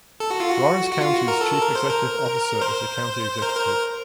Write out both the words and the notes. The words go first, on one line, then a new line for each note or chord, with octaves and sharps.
Lawrence County's chief executive officer is the County Executive.
A4
F#4
F4
F#4
F#4
F4
F#4
A#4
A4
A#4
C5
A#4
C5
A#4
C5
A#4